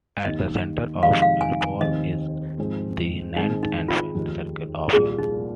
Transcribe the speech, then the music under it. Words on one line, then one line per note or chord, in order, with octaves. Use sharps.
At the center of Malebolge is the ninth and final circle of hell.
D#2 D#3 A#3 D#5
F2 C3 D#3 G#3 D#4 F5
F5
G#5
G#5
F1 D#2 D#3 C4 D#5
G#2 F3 C4 G#4
G#2 D#3 C4 D#4 G#4
D#4
F4
F1 D#2 D#3
C2 A#2 A#3 F4 G#4
D#4